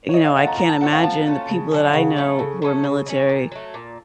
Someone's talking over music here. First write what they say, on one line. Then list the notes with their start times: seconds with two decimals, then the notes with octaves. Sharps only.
you know, I can't imagine the people that I know who are military,
0.09 C#5
0.14 F3 D#5
0.24 F5
0.36 A3 C#4 F4 F#5
0.47 A#5
0.58 F3 A#5
0.69 A5
0.81 A3 C#4 F4 F#5
0.92 F5
1.04 F3 A5
1.26 A3 C#4 F4
1.49 C#3
1.71 F#3 A3 C#4
1.87 F5
1.93 C#3 F#5
2.16 F#3 A3 C#4
2.39 C#3 A4
2.62 F#3 A3 C#4
2.84 C#3
3.06 F#3 A3 C#4
3.29 A#2
3.52 F#3 A3
3.74 A#2